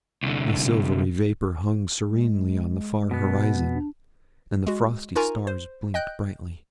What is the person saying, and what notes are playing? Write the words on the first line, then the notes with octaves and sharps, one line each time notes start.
The silvery vapour hung serenely on the far horizon, and the frosty stars blinked brightly.
C2 D3
G#3
B2 B3
D4
G#3 F#4
D#4 F4 A#4 G#5 A#5 C#6
C5
D#5 G5 F#6 G6